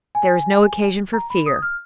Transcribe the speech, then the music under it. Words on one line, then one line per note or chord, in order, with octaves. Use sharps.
There is no occasion for fear.
G#5
A#5
B5
D#6
F6